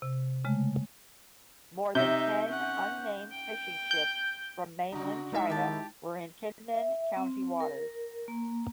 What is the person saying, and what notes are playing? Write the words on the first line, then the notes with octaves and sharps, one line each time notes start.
More than ten unnamed fishing ships from mainland China were in Kinmen County waters.
C3
C#3 G#3 A3
C3 D#4 E5 G6
C#4 F#5
G5
G6
C#3 D4 F#4 A#5
A2 G#3 D#4 E4 E5
D#3 G4 A5
E5
C4
A#4
A#3